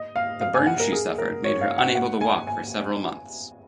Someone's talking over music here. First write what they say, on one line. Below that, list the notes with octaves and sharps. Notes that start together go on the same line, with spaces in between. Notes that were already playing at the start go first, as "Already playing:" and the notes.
The burns she suffered made her unable to walk for several months.
Already playing: D#5
F5
F5
G#5
F#5
A#4
G#4
A#4
C#5
F5
F#5
F#5
G#5
G#5